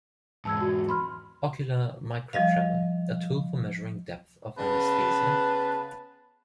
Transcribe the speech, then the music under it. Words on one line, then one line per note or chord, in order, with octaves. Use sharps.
Ocular microtremor: a tool for measuring depth of anaesthesia?
E2 G#2 A5 E6 G#6
F#4
B5 C6 F6
F3 G3 D#5 F5
C#3 B3 B4 A5